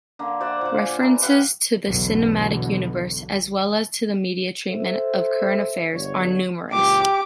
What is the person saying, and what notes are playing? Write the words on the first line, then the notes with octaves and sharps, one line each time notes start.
References to the cinematic universe, as well as to the media treatment of current affairs are numerous.
D3 A#3
C5 D5 E5 F#5
A#2 F4
G#5 C6
A#4 B4 E5
G4 B4 F5 F#5
B1 E2 B2 D3 F#3
A4 C5 E5
G1 D3 C#5
C#2 A#2 E3 G4 D6